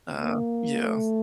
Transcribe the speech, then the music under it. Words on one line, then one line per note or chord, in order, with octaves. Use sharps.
Uh, yeah.
A#3
A3